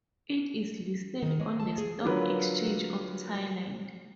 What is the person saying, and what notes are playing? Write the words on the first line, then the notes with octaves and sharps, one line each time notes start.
It is listed on the Stock Exchange of Thailand.
D#3
G#3
A5
G#4
D3 F#3 F4 A#4 B4